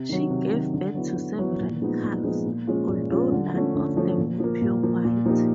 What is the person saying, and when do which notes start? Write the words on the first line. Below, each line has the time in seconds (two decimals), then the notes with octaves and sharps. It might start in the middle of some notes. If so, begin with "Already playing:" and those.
She gave birth to several calves, although none of them were pure white.
Already playing: C3
0.09 D#3 F#3
0.30 C3
0.52 D#3 F#3
0.73 D3
0.95 F#3 B3 E4
1.17 D3
1.38 F#3 B3 E4
1.60 A#2
1.82 F3 G#3 B3 D#4
2.03 A#2
2.24 F3 G#3 B3 D#4
2.46 A#2
2.67 F3 G#3 C#4 F4
2.89 A#2
3.11 F3 G#3 C#4 F4
3.32 D3
3.54 F3 A3 C#4
3.75 D3
3.96 F3 A3 C#4
4.18 A#2
4.40 F3 A#3
4.61 A#2
4.83 F3 A#3
5.04 A#2
5.25 F3 A#3 D#4 G4